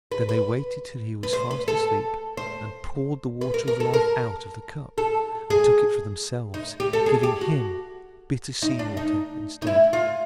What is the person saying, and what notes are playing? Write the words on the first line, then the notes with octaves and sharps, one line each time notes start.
Then they waited till he was fast asleep, and poured the Water of Life out of the cup, and took it for themselves, giving him bitter sea-water instead.
B4
B4
B4
C5
B4
A4
C5
B4
A#4
A#4
A4
A#4
A4
G#4
D#4
G4
A4
G#4
G4
F#4
D#4
D4
D#4
D#4
E4
F4